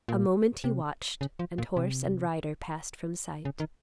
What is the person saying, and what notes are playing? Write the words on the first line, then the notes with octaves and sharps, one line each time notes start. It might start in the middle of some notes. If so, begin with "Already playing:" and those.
A moment he watched, and horse and rider passed from sight.
A#2
C3
C#3
F3
A#2
C3
C#3
D#3